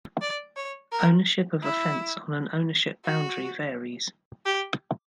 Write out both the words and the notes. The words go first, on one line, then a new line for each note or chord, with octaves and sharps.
Ownership of a fence on an ownership boundary varies.
D5
C#5
A#4
E4
F#4
G4